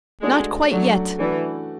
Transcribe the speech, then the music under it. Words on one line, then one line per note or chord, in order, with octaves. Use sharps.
Not quite yet.
G#3 A3 D4 F#4
F#3 A3 D4 F#4
E3 A3 D4 F#4